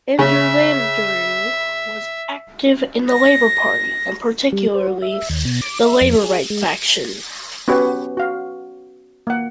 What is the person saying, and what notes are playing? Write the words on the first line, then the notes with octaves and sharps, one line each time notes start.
Andrew Landeryou was active in the Labor Party, and particularly the Labor Right faction.
C#3 E5
A#6
G3
C5
F#4
E5
D#2
B2
D6
E5
F2
G#4
G#3
B3 C#4 F#4 G4 B4 C#5
F#4 F5
A#3 F#5